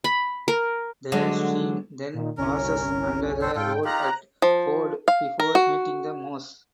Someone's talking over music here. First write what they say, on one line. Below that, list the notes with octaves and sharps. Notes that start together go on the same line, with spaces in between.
The stream then passes under the road at Ford before meeting The Moss.
B5
A#4
D3 F#3 G#3
A#2 D#3
G1 C2 C#4 A#4
C4 A4 C5
G#2 F4 A4 G5
D#4 F4 G4 A#5 F#6
F3
F5
A#4
F#4